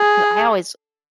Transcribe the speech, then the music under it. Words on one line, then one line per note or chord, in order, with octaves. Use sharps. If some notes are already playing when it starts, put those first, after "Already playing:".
because I always
Already playing: G#4